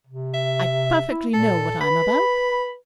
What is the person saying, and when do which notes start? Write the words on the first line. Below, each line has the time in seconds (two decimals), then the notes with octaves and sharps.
I perfectly know what I'm about.
0.07 C3
0.34 E5
1.11 E4
1.34 A#2 A4
1.81 B4 B5